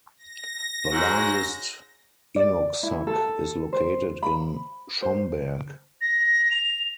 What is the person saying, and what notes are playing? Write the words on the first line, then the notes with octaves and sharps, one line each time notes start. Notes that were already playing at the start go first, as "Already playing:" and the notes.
The largest inuksuk is located in Schomberg.
A#6
G#2 F#3
D5
E4
A4
C5
B5
C5
A#6
F7